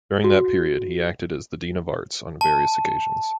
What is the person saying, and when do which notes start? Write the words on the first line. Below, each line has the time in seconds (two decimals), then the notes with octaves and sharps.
During that period he acted as the dean of arts on various occasions.
0.24 F#4
2.41 A5